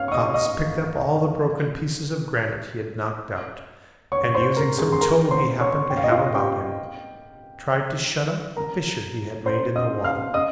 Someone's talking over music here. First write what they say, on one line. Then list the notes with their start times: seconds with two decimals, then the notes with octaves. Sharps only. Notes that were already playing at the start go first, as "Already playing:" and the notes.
Hans picked up all the broken pieces of granite he had knocked out, and using some tow he happened to have about him, tried to shut up the fissure he had made in the wall.
Already playing: C#5 F5 F6
0.08 C#6
0.12 D#5 D#6
0.34 D#5 D#6
4.12 C#5 C#6
4.35 C5 C6
4.56 A#4 A#5
4.78 G#4 G#5
4.93 C6
5.01 A#4 A#5
5.31 C5 C6
5.60 C#5 C#6
5.90 G5
5.97 F5
6.04 D#5
6.11 F4 F5
6.35 G4 G5
8.56 A#4 A#5
9.46 C5 C6
9.76 D#5 D#6
10.04 F5 F6
10.34 D#5 D#6